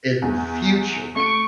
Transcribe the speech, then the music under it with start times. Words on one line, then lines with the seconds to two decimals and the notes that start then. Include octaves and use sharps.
in the future
0.22 E2
1.16 A3 C#6 D7